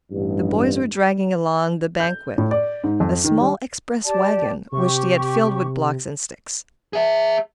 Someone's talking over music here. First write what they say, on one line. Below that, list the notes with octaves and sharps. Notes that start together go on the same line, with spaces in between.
The boys were dragging along the banquette a small "express wagon," which they had filled with blocks and sticks.
A1 G2
G6
A2
D5
G#2
F2
D#3
G3
G4 D5 A5
C3 G4 C#6
G#4 E5